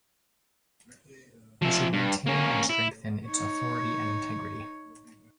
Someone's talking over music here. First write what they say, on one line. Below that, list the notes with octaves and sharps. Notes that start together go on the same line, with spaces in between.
We should maintain and strengthen its authority and integrity.
F3 E5
G2
A#3 C#4
E4
D#4 C#5